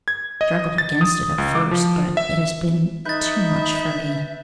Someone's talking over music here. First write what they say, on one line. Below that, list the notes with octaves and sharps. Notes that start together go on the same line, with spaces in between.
I struggled against it at first, but it has been too much for me.
G#6
D#5
A6
D#6
C#2
D6
F3
E5
D#4 B4 E5 G6 A6